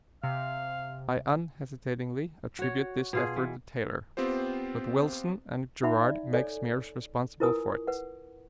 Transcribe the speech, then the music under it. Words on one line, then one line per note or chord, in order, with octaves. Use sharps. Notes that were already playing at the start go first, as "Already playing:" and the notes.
I unhesitatingly attribute this effort to Taylor, but Wilson and Garrard make Meares responsible for it.
C3 F5
F#4 C#5
B2 F4 G#4
E3
B3 C4 F4 G4 C5
D#4 E5 F#5 B5
D5
A4 C#5 D5 G#5
E4 F4 A#4 B4 G#5 D#6
B4 F#5